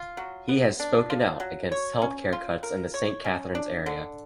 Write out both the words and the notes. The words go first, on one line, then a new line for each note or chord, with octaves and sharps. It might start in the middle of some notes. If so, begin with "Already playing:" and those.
He has spoken out against health-care cuts in the Saint Catharines area.
Already playing: F4
F#3
B3
D4
F4
F#3
C#5
C#4
F4
A#4
C#5
C#4
D4
D3